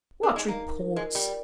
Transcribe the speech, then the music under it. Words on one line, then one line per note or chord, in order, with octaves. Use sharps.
"What reports?"
D4 D#4
G#3
A#4
A#3
A#4
A#4
G#3 F4
G3 A#4